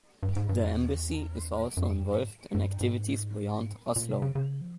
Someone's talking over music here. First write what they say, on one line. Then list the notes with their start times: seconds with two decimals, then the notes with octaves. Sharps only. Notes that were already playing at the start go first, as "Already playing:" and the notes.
The Embassy is also involved in activities beyond Oslo.
0.23 G2
0.36 G#2
0.49 G2
0.62 F2
0.74 E2
1.77 F#2
1.91 F2
2.04 F#2
2.17 G#2
2.55 G2
2.81 G#2
3.96 A#2
4.09 C3
4.22 C#3
4.35 C#3
4.61 F3